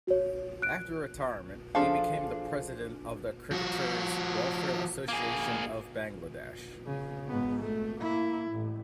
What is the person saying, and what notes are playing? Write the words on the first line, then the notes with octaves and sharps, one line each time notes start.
After retirement he became the president of the Cricketers' Welfare Association of Bangladesh.
F#4 C#5
F#6 D7
F3 D4 G#4 A4 F5
F3 F#4
A#3 G#4
C#3
G#2 B3
A3
A#3 E4
A1 A2